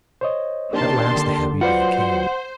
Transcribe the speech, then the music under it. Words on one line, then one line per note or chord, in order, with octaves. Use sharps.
At last the happy day came.
C5 C#5 D#5
D#3 A#3 D4 G4 A5 C6
D3
F#3 F4 B4 C5 D5 F#5